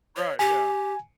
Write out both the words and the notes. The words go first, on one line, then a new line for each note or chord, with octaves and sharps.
Right, yeah.
C#5
G4 G#5